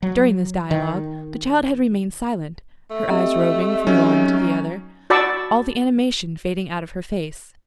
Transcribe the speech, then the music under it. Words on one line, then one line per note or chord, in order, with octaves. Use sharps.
During this dialogue the child had remained silent, her eyes roving from one to the other, all the animation fading out of her face.
F#3
D#3
A3
C4 G4 D#5
F#3 C#4 D#4
F#4 D5 A5 B5 C#6 E6